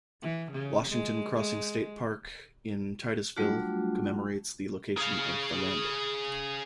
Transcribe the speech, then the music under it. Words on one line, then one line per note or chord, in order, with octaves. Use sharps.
Washington Crossing State Park in Titusville commemorates the location of the landing.
E3
C#3
G#3
G#3
F#3 G3 A3 D4 F4 F#4
G#4 F5